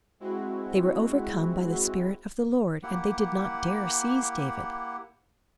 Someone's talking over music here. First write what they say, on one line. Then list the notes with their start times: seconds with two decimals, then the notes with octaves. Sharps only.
They were overcome by the spirit of the Lord, and they did not dare seize David.
0.20 G#3 C4 E4 F#4
2.83 A#3 E4 G4 F#5